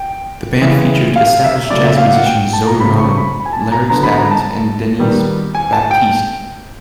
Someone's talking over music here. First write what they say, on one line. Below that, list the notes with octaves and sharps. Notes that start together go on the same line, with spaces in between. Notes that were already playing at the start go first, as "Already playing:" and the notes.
The band features established jazz musicians Zoe Rahman, Larry Stabbins and Denys Baptiste.
Already playing: G5
C#3 E3 G#3 B3
F5
E5
C#3 F#3 A3 D5
E5
F5
F#5
G5
A5
A#5
C#3 F#3 A3 C4 B5
C#6
B5
G#5
A5
A#5
D3 F#3 B3 A#5
B5
A#5
A5
D#3 G3 B3
G#5
A5
G5